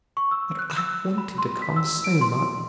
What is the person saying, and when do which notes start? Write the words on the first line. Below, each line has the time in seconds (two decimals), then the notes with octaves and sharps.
But I wanted to come so much.
0.17 C#6
0.31 E6
0.59 F#6
0.77 E6
1.18 B5
1.38 C6
1.62 B6
1.76 E6
2.04 D7
2.21 C6